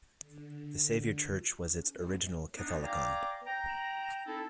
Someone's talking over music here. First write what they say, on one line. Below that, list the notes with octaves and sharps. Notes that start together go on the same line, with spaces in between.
The Saviour Church was its original katholikon.
D3
D3
B3 D4 D#4
D5 F5 G5 G#5 A#5 D6
G5 A#5
C4 D#4 E4 A4